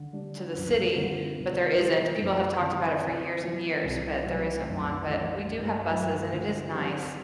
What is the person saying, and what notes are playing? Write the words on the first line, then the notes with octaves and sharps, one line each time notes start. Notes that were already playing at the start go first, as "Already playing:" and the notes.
to the city, but there isn't. People have talked about it for years and years, but there isn't one. But we do have buses and it is nice
Already playing: D3
G3 D4
F#2
D3 G3 C4 E4
B2
G3 B3 E4 G4
F#2
D3 F#3 C4 E4
C3
F#3 B3 F#4
C2
C3 F#3 A3
F#2
E3 A3 D4
G2
F#3 A3 E4
D3
F#3 C4 G4